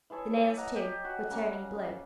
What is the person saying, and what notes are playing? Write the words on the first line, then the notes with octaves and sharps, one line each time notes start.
The nails, too, were turning blue.
E3 G#4 A4 C#5
C#5 D5
D#5 F#5 A#5
G4
F#4 G#5
C#3 A#5 D6